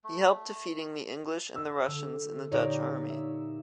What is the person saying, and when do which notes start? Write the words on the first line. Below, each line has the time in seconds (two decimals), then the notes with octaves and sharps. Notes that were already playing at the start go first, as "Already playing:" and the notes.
He helped defeating the English and the Russians in the Dutch army.
0.04 A3
1.56 E6
1.88 D3
2.51 A#2 D#4 G4 C#5 D5
3.09 E5